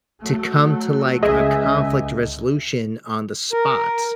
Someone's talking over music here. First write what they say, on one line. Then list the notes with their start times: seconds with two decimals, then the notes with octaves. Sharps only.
to come to, like, a conflict resolution on the spot.
0.21 F#3 A3
1.23 C#2 G#4 D#5 E5 G#5
3.53 A#4